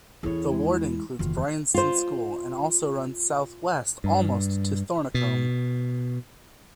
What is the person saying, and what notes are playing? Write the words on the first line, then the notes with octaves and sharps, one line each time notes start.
The ward includes Bryanston School and also runs south west almost to Thornicombe.
E2 C#4 E4 G#4 A4 C#5
G#3
F#1 E2 D#3 F4
F4 C5
G2
B2